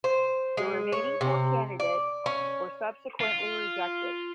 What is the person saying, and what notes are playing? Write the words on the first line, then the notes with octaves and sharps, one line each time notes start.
The remaining four candidates were subsequently rejected.
C5
G#3
C#5
C3
D5
C#4
F4